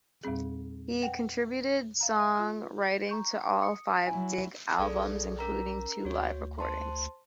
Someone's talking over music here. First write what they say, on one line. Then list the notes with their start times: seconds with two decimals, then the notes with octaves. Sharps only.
He contributed song writing to all five dig albums including two live recordings.
0.23 E2 A#2 G3 C4 G#4
1.02 B4 F#5 G5
2.01 F5 A#5
2.20 E5
2.35 F4 F6
3.09 A#5 C#6 G6
3.62 D#6 C#7
4.07 F#3 E4 G#5
4.79 B1 G#4 A4 D5
5.39 C#4 A#4 A#5
6.05 D2 F#4 C#5
6.59 C5 A5 C6